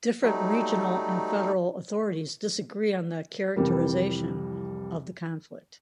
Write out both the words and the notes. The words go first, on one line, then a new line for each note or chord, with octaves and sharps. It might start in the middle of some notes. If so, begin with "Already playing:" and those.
Different regional and federal authorities disagree on the characterisation of the conflict.
F#3 G3 A3 D#4
C2 F2 E3 G3 A#4